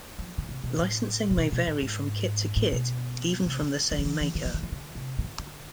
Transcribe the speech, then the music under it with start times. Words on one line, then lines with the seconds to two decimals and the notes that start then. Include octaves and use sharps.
Licensing may vary from kit to kit, even from the same maker.
0.19 F3
0.38 D3
0.49 C3
0.63 B2
0.78 A2
1.31 C3
1.38 B2
1.52 B2
1.67 A2
1.82 G#2
2.57 A2
2.72 B2
3.46 C3
3.62 D3
3.91 E3
3.98 F3
4.05 E3
4.21 E3
4.35 D3
4.45 E3
4.54 D3
4.63 E3
4.72 D3
4.95 C3
5.19 C3
5.24 D3
5.39 D3